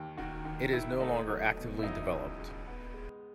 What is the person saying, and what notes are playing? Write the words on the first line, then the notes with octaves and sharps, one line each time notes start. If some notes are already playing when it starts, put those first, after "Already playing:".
It is no longer actively developed.
Already playing: D#2 D#3
D#3 F#4
D#3
D#3 E4
A3 D#4
F#3
B2
E4
F#3 D#4
C#2
C#2
B3
G#3